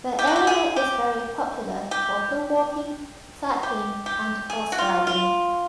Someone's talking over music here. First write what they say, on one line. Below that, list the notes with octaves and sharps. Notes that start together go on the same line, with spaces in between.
The area is very popular for hillwalking, cycling and horseriding.
G4
F#4
G4
G#4
G4
G4
G4
G4
G#4
F#4
F4
F4